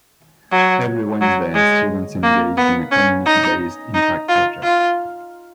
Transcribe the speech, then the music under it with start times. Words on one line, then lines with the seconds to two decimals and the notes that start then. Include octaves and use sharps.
Every Wednesday, students engage in a 'community based' impact project.
0.52 F#3
1.21 F#3
1.55 G#3
2.23 A#3
2.58 B3
2.91 C#4
3.26 D#4
3.94 D#4
4.28 F4
4.63 F4